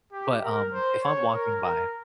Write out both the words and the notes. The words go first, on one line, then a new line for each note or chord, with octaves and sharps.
but, um, if I'm walking by,
G4
A#4
C5
C#5
A#4
A#4